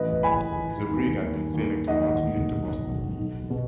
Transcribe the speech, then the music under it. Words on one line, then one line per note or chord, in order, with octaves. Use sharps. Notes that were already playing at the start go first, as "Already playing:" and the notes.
The brig had been sailing from Martinique to Boston.
Already playing: A1 B4 D#5
A2 G#5 B5
E3
D#2
D#2
D#2
D#2 D#5 F#5
D#2
B1
B1
B1
B2